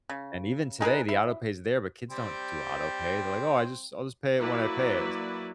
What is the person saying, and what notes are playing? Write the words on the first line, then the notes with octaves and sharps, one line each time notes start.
And even today, the autopay's there, but kids don't do autopay. They're like, "Oh, I just I'll just pay it when I pay it."
C#3
D#4 G#4 A#4 B4
E4
G3 C4 G5
F#3 A#3 E4 B4 D5